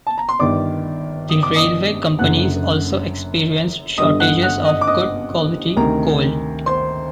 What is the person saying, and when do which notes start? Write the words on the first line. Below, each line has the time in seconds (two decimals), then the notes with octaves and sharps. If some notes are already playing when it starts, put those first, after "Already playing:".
The railway companies also experienced shortages of good-quality coal.
0.07 A5
0.18 A#5
0.29 C6
0.39 G1 G2 D#3 D5 D6
1.29 D#6
1.43 D6
1.56 D#5 D#6
2.19 F#1 F#2 D3 F#5 F#6
3.98 G1 G2 D3 D#5 D#6
4.20 F#5 F#6
4.43 F#5 F#6
4.65 D#5 D#6
4.81 D6
4.87 D#5 D#6
5.76 D2 C3 D#3 A#4 A#5
6.66 C5 C6